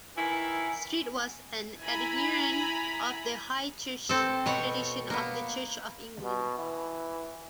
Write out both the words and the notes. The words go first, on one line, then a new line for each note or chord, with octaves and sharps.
Street was an adherent of the high church tradition of the Church of England.
D#3 E3 E4 G#5
E4 G#5 A#5 B5
C4 A4
B2 C#5 F#5
A#3 B3
B2
E3